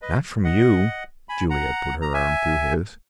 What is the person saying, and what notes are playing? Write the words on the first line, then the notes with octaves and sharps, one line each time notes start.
"Not from you." Juliet put her arm through his.
B4 D#5
D#5 F#5
G#5 B5
F#5 A#5
A#5
E5 G#5